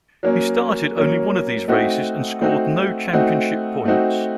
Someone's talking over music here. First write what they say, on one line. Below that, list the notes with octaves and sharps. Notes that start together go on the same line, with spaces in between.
He started only one of these races, and scored no championship points.
F#3 A#3 C#4
F#3 A#3 C#4
A3 C4 D#4 F#4
A3 C4 D#4 F#4
A3 C4 D#4 F#4
A3 C4 D#4 F#4